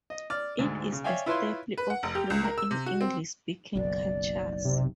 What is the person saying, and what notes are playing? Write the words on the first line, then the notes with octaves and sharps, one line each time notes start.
It is a staple of humour in English-speaking cultures.
D#5
D5 F6
D2 G#2
C#3
C#5 D5 E5 F5 G5 G#5
E4 F4 B4 C#5 E5 C6
B4
F#5
F1
G4
C#2
A#4
E6
C3
F#4
C4
F#1 B1 D5
C3